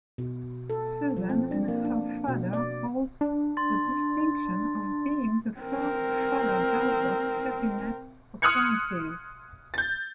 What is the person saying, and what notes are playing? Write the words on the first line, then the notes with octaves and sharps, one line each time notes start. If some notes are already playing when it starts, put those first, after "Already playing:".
Susan and her father hold the distinction of being the first father-daughter cabinet appointees.
B2
A4
F3
C4
D4
A#3
D4
B2
D5
D4
C6 A6
C4 A#4
C6 D#6 F6 F#6 G#6 C#7
G6 A6